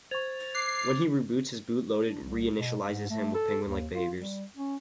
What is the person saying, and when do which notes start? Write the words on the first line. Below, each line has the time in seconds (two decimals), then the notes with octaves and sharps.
When he reboots, his boot loader reinitializes him with penguin-like behaviors.
0.11 C5 C#6 G#6 A6 F7
0.55 D6 F#6 C7
2.07 D4
2.23 C2
2.58 B2
2.86 G#2
3.10 A3
3.34 A4
3.66 D#2
3.94 F4
4.19 G3
4.57 C#4